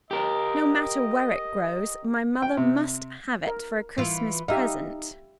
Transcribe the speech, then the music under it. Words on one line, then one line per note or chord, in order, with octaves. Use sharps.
"No matter where it grows, my mother must have it for a Christmas present."
G4 A#4 D#5
G5
C3
A#4
E3 F4
D#4 G4 E5 F5